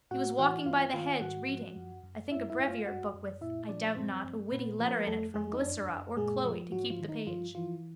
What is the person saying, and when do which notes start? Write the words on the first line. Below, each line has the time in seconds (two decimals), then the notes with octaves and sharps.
He was walking by the hedge, reading, I think a brevier book with, I doubt not, a witty letter in it from Glycera or Chloe to keep the page.
0.11 A2 F#4 F#5
0.38 E3 F#4 F#5
0.66 G2 F4 F5
0.93 D#3 F4 F5
1.21 G#2 F#4 F#5
1.48 F3
1.76 F#2
2.03 F#2
2.31 G2 E4 E5
2.50 E4 E5
2.59 G2
2.68 F4 F5
2.86 F#2 F#4 F#5
3.14 F#2
3.41 A#2 E4 E5
3.69 F3 D4 D5
3.96 G2 C4 C5
4.24 G2
4.52 A#2 B3 B4
4.79 F3 A#3 A#4
4.92 B4
5.00 A#4
5.07 F2 A3 A4
5.34 F2 G#3 G#4
5.53 D#4
5.62 F#2 D4
5.89 F#2
6.17 A#2 G#3 G#4
6.45 F3
6.72 G#2 F#3 F#4
6.90 F3 F4
7.00 D#3
7.09 D#4
7.27 G2 F3 F4
7.55 E3 F3 F4